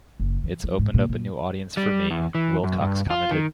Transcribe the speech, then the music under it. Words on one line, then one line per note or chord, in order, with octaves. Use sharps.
It's opened up a new audience for me, Willcox commented.
F#1
E3
F3
G#2
A#2
A#2
G3
E2
E3
F#2
G2
F4
D#3